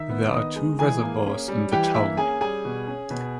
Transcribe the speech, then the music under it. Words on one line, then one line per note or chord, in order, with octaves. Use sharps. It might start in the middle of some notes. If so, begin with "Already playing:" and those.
There are two reservoirs in the town.
Already playing: D#3 E5 E6
B3
D#3 D#5 D#6
G#3
E3 G#4 G#5
A#3
C#4
G3
E3 G4 G5
A#3 E5
C#4 G#4 G#5
G3 G#4 G#5
B2
C#4
B2